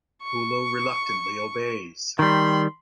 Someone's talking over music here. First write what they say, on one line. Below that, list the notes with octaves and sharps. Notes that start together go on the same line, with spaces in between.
Pullo reluctantly obeys.
C#6
D#3 G3 B5 C6